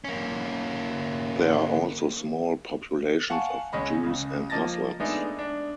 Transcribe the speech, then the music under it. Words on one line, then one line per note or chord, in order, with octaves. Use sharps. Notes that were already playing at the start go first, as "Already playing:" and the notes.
There are also small populations of Jews and Muslims.
A#3 C#4
F5 F#5 G#5 A5 C#6
C#2 G#3 C#4 D#5 B5
C#2 C#3
F3 A#3 D#5 A5 A6 A#6
G#3 A3 B3 D4 D#4
D4